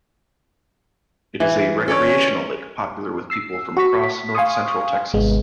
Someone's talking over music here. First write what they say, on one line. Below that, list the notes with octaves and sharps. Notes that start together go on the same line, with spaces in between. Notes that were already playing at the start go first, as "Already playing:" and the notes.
It is a recreational lake popular with people from across north central Texas.
E3
C#4 A4 C#5 D5
E6 C7
F#4 C#6 B6
B6
F5 G#5 C6 C#6 D#6
G#1 C3 G#3 B3